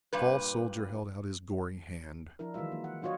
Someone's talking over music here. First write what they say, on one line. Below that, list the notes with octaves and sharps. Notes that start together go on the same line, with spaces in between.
The tall soldier held out his gory hand.
G2 A#2 B4
F3 D4 E4 A#4
D#3 E3 F#3 G#3 F4 E5
A#3
F#5
F#3 D4 F4 F#4 C#5 D#5